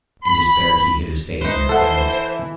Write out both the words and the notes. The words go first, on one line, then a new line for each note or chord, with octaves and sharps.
In despair he hid his face in his hands.
B5
D#4 B4 C5
E3 A4 F#5